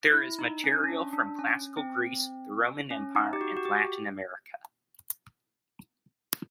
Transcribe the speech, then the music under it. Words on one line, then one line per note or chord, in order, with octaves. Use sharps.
There is material from Classical Greece, the Roman Empire and Latin America.
E4
D#4
C#4
C#4
D4
D4
C#4
C4
C#4
D#4
G4
F#4
F#4
G4